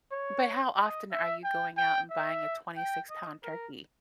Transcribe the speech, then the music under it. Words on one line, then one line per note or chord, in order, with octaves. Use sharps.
But how often are you going out and buying a twenty-six-pound turkey?
C#5
D#5
E5
G5
G5
E5
G5
D#5
A#4